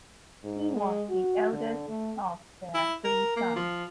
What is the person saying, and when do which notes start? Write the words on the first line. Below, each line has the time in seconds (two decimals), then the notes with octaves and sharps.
He was the eldest of their three sons.
0.44 G#2
0.76 G#3
1.09 F#4
1.52 D3
1.88 A3
2.74 E4
3.05 A#4
3.36 A#3
3.56 F3